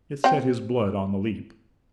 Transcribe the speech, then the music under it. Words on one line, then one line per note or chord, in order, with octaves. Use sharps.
It set his blood on the leap.
C4 G5